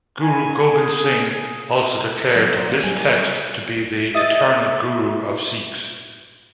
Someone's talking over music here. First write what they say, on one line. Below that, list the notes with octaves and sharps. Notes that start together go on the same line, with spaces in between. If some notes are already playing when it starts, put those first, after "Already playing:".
Guru Gobind Singh also declared this text to be the eternal Guru for Sikhs.
G#5
G#4
F#3 B3
F#4 A#4 C5 D5
C#3 A#3 C#4 D#4
A2 F#3 G3 G#5
D#5 E5 D#6 A6